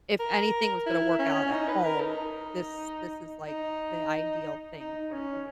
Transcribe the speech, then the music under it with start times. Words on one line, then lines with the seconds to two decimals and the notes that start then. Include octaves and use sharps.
if anything was gonna work out at home, this this is, like, the ideal thing for it to be.
0.20 A#4
0.86 E4
1.19 C#4
1.51 D#4
1.68 B4
1.85 A#4
2.01 D#4
3.48 D#4
4.80 D#4
5.12 C#4